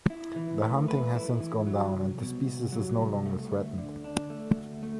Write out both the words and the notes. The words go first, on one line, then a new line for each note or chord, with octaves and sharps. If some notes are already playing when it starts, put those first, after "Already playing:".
The hunting has since gone down and the species is no longer threatened.
E4
E3
A3
B4
E4
E3
F#3
C2
B2
C2
F#3
C2
A3
D2
D3
D4
A3
D2
A3